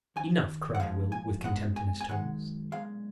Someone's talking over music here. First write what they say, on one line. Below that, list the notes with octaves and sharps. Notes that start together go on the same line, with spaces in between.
"Enough," cried Will, with contempt in his tones.
D#2 D#3 G#5
F#5
G#2 F3 G#3 F5
G#5
C#2 B2 G#3 F#5
G#5
G#5
F#2 D#3 G#3 F#5
B1 A#2 G#3 F5